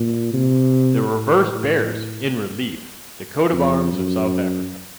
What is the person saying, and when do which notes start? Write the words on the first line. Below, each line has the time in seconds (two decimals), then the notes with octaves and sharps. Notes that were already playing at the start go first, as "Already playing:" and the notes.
The reverse bears, in relief, the Coat of arms of South Africa.
Already playing: A#2
0.33 C3
1.13 A2
1.53 A2
3.53 F2
3.93 F#2